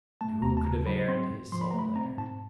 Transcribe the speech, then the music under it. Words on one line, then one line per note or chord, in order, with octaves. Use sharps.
And who could have aired his soul there!
A3 A5
D#2 A#5
A5
C#3 A#5
F#3 B5
C4 C6
G#2
F3 C6
B5
A3 A#5
B5
C4 A#5
G#2 A5